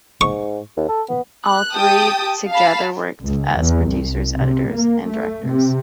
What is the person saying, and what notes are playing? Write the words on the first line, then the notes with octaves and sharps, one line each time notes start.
All three together worked as producers, editors and directors.
G#2 C#6
D#2
A4
B3
F#6
G4 G5 A5 D#6
F5 A5 B5
C#2
E2
C2
C3
A#3
A3
C3